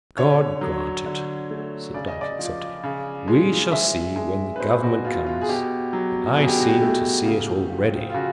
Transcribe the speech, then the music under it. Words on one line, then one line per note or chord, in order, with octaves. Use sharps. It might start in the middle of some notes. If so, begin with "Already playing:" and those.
"God grant it," said Don Quixote; "we shall see when the government comes; and I seem to see it already."
D3 C#5
F#3
D3
A3
C#3 D5
D#5
D5
F3
C#3
G#3
G#3 E5
G#3
B4
B2 C5
F#4
B2 F4
F4
G#4
B2 G4
F#3
B2 G#4
G4
F#4
G4
A3
C#3
F3
F4
C#3 F#4